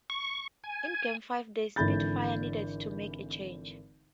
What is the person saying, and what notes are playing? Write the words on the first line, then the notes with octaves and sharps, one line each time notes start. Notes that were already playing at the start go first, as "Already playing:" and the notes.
In game five, the Spitfires needed to make a change.
C#6
G#5
G#1 D3 E3 B5 G6 A6